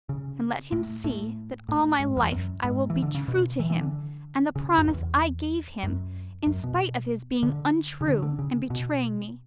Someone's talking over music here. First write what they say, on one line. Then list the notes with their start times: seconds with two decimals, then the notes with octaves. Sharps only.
And let him see that all my life I will be true to him and the promise I gave him, in spite of his being untrue and betraying me.
0.09 C#3
0.72 A2
1.04 A2
1.69 A2
2.00 G#2
2.17 E2
2.32 F#2
2.64 G#2
2.90 E3
3.02 D3
3.15 C#3
3.28 B2
3.60 E3
3.70 E3
3.81 D3
4.56 C#3
4.78 F#2
4.88 E2
5.83 F#2
6.47 F#2
6.64 B2
7.43 D3
8.01 C#3
8.07 D3
8.22 D3
8.39 C#3
8.70 B2